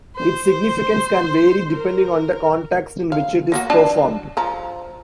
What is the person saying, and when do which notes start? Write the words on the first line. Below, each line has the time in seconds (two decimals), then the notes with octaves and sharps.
Its significance can vary depending on the context in which it is performed.
0.15 C5
1.71 A#4
3.12 F5
3.52 A#3 F4 F#4
3.70 D4 A5
4.37 F3 A#5